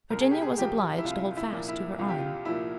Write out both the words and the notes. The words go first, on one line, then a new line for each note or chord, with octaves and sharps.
Virginia was obliged to hold fast to her arm.
C2 A#4
G#4
G4
G#4
A#2 F3 A#3 G4
E4
C2 F4
E4
A#2 F3 A#3
E4
C2 F4
G4
F4
A#2 F3 A#3 E4